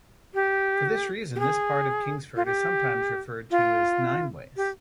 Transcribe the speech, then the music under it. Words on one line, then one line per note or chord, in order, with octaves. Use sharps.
For this reason, this part of Kingsford is sometimes referred to as "nine-ways".
G4
G4
G#4
F4
G4
F4
G4